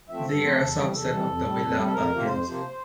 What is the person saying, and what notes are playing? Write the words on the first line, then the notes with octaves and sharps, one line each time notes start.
They are a subset of the Willapa Hills.
F3 A3 C4 E5
G2 A4
F3 A3 C4
E2
C3 E3 G3
E2 A4
C3 E3 G3
F2
C3 G3
F2
C3 G3
A4
F2 A#4
C3 F3 A#3
F2 C5
C3 F3 A#3